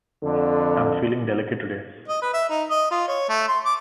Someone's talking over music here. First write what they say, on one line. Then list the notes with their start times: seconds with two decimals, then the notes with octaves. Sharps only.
Am feeling delicate today.
0.23 F2 D3
2.08 D#5
2.22 B4
2.34 E5
2.49 D#4
2.70 D#5
2.91 F4
3.08 C#5
3.29 A3
3.48 C6
3.65 D6